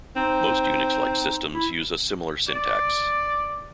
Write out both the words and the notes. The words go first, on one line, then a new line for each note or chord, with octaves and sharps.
Most Unix-like systems use a similar syntax.
C4 D#4
E4
D5